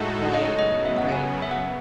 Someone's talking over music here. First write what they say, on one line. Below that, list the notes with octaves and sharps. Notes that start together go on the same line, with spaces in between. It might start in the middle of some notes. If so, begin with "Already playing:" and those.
Right, right.
Already playing: A2 G#3 D#4 F#4 A4 E5
D#5
F#2 C#3 F#3 B3 C#5
D#5
D#5
E5
F#5
G#5
G#5
E5
F#5